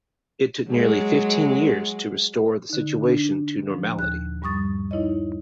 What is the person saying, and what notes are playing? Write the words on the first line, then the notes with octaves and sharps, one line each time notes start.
It took nearly fifteen years to restore the situation to normality.
F#3 G#3
D3 D#4
D4
A#2 F3
D#2 F#6
G2 G3 C#6 D#6 A6
D#4 E4 C#5 D#5